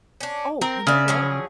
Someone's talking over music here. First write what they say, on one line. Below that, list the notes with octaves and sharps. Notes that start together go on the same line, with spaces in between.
Oh, you know what?
C#4 D4
C4 A#4
C#3 D5 E5
F3 F#3 G#4